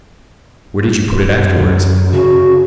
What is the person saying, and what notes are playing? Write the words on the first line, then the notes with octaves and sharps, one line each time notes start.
"Where did you put it afterwards?"
F#2
C#3 F#4